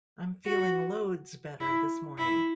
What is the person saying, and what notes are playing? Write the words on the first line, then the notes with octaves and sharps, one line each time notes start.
I'm feeling loads better this morning.
F#4
E4
E4